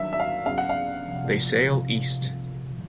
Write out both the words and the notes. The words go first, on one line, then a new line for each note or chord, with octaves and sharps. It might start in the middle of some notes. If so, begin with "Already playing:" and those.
They sail east.
Already playing: G2 D#3 F#3 E5
E5
F5
E2 C#3 F#3 F5
F#5
F5
A#2 F3